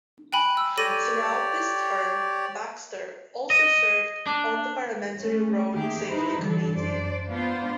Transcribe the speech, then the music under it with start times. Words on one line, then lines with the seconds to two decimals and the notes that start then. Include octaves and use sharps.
Throughout this term, Baxter also served on the parliamentary Road Safety Committee.
0.33 G5 G#5 B5 F#6
0.57 E6
0.78 G4 A4 C#5 D5 A#6 D#7
3.50 D#5
4.27 D4
5.18 A3 C#4
5.71 D#3 A#3 G4 G#4 E5
6.04 D#4 E4 B4 C5
6.39 D3 E3 F3 G3 D4 A4
6.75 F#2 D4 C5 D5
7.29 B3 D4 F4 C5